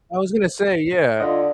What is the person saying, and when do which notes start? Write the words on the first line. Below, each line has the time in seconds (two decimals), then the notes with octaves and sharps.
I was gonna say, yeah.
1.20 D3 F4 D#5